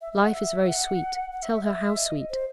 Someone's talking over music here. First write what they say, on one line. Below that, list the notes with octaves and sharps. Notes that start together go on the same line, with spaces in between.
Life is very sweet,--tell her how sweet.
E5
E5
F#5
E5
F#5
F#5
E5
E5
E5
E5
D#5
D#5
C5